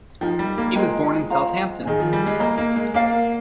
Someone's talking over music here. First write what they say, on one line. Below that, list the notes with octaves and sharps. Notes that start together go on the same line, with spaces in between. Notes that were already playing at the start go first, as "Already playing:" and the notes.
He was born in Southampton.
F3 D#4 A#4 D#5 G5
G3
A#3
G#3 F4 C5 G5 A#5
F4 C5 F5 A#5
D#3 G#4 D#5 G#5
F3
G3
G#3
A#3 A#4 D#5 A#5
A#3
G#3
A#3 A#4 D5 F5